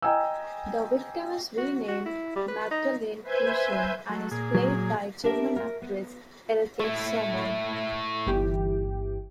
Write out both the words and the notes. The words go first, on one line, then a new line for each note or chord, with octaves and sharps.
The victim is renamed Magdalene Kruschen and is played by German actress Elke Sommer.
D#5 G5 G#5 A#5 E6
F#4
F#4
F#4
E4
G3
B4
D#4
B4 C5 E5 G#5 G6 G#6
F#3 A3
A#2 G#4
F#3
D4 G4 A#4 E5
A#4
B3
A3 E4
G1 E3 G4